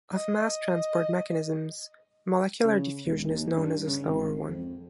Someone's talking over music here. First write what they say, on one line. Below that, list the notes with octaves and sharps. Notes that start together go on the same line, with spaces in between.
Of mass transport mechanisms, molecular diffusion is known as a slower one.
D#5
C#3
E1
D#2
G2
C#3
G#1
F2